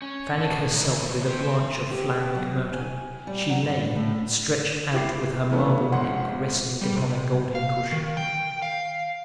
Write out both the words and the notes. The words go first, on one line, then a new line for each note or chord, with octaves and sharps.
Fanning herself with a branch of flowering myrtle, she lay, stretched out with her marble neck resting upon a golden cushion.
C#4
A#2 A5
D#3 F#3 A#3
C4 G4
C4
G4
F#3
G#5
G3
F#3
G2
A2
E4 G4 G#4 D6 C7
C#3 E3 A3 B3 C#4 D4
G#1 F2 F#5 C6
G3
C3
F5
D#3
G5
F5